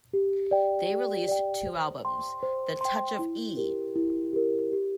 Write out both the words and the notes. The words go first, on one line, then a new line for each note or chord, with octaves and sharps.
They released two albums: The Touch Of E!
G4
D5 G5
G4
D5 G5
C5
G5 C6
C5
G5 C6
E4
G4 A#4
E4
G4 A#4
G4